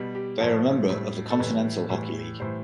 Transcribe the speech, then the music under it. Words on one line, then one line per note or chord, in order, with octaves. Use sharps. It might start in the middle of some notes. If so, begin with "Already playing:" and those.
They are a member of the Kontinental Hockey League.
Already playing: B2 G3
G4
A2 F3 A4
A2 G3
A4
A2 E3 G3 B4
A2 E3 G3
A2 E3 G3 C5